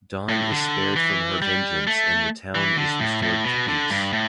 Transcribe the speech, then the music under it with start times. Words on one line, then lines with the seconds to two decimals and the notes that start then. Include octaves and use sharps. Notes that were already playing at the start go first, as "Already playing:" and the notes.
Don is spared from her vengeance and the town is restored to peace.
0.29 A2
0.51 D3
0.96 E3
1.42 G3
1.87 A3
2.55 E3
2.78 D3
3.00 A2
3.22 A2
3.45 B2
3.68 D3
3.90 G2
4.13 A2